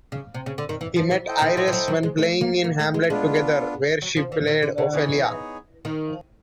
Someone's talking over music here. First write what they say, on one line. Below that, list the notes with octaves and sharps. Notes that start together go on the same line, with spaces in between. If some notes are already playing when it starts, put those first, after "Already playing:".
He met Ayres when playing in "Hamlet" together, where she played Ophelia.
C#3
C3
C#3
D3
D#3
E3
F3
E3
E4 A4 C5 D#5 G5
D#3
F3
F3
F#3
F#3
G#3
A3
A#3
A#3
A3
G#3
G#3 B3 D4 F4
F#3
F3
E3
D#3
D3
C#3
E3 B3 D#4 G#4 C#5
D#3